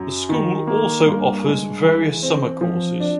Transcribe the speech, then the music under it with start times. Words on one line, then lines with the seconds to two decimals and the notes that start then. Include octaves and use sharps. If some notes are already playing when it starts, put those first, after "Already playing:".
The school also offers various summer courses.
Already playing: F#2 F#3
0.29 D#3
0.67 A#3
1.06 G2
1.45 G#3
1.84 E3
2.23 C4
2.61 F3
3.00 D4